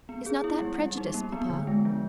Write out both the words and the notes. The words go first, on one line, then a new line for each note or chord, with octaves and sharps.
"Is not that prejudice, papa?"
B3
G#4
E4
G3
G3
D#4
A#3
B3
D3
G#3
F3